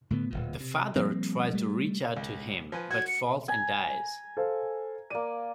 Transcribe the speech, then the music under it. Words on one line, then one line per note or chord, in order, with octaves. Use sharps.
The father tries to reach out to him, but falls and dies.
A2 D3 B3
D1 G1 A#2
C3
F3 G3 A#3 C4
G3 A3
C#2
F3 B4 G#5
F#4 G#6
C#7
G#5 A#5
A4 C5 F5
A#3 D5 D#7